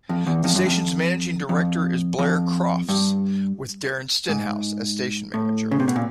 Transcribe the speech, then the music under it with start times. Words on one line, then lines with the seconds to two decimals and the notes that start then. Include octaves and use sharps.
The station's managing director is Blair Crofts with Darren Stenhouse as station manager.
0.09 F2
0.27 E2
0.44 F2
0.55 F#2
0.67 F2
1.49 F2
2.19 F2
2.89 G2
4.29 G#2
5.34 A2
5.71 C#3
5.80 C3
5.88 B2
5.96 A#2